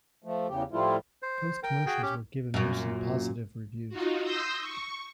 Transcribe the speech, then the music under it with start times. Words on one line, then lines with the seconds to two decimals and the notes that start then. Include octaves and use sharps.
Both commercials were given mostly positive reviews.
0.24 F3 A3
0.48 E2 C#3 G4
0.72 A2 F3 G3 A3 E4 F4
1.22 C5
1.63 A#4 G5
1.86 F#4 G#4 G5
2.02 C#4 G4
2.54 F#2 A#2
3.89 D#4 F4 F#4
4.23 C6 D#6 E6 G6 A#6
4.60 C#6